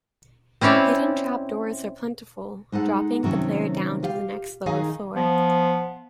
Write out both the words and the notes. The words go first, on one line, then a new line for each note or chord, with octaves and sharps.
Hidden trapdoors are plentiful, dropping the player down to the next lower floor.
C4 C#4 E4 C#5 D5
G#3 D#4 A4 F#5
C3 D#3 F#3 A3 C#4
F4 G4 F5
D#3 D#4 G#4 D#5 F5 G#5
F3 B3